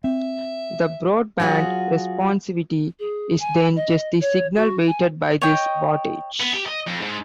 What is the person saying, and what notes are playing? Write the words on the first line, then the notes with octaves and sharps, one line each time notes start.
The broad-band responsivity, is then just the signal weighted by this wattage.
C4 E5
F#3 F4 F#4 G#4
G#4
G#5
D#5
C#5
F#4
G#5
C#5 D#5 G5
B3
G4
D#5
F2
G#2